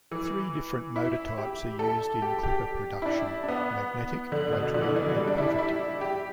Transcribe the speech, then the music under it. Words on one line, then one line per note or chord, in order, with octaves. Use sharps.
Three different motor types are used in clipper production: magnetic, rotary and pivot.
E3
E4
G4
A4
G4
G4
E4
D4
D4
B3
D3
B2
D3
E3
D3
E3
D3
G3
D4
E4
D4
E4
G4